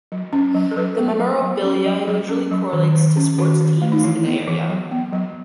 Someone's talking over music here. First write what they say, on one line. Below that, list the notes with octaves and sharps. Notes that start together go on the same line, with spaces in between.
The memorabilia usually correlates to sports teams in the area.
F#3
C#4
F#3
A4
F#3 B4
B3
F#3
F#3
C#4
F#3
F#3 G#4
C#4
F#3
D#3
D#3
C#4
D#3 F#4
D#3
A3
D#4
E3 E4
B3
E3
F#3
B3
F#3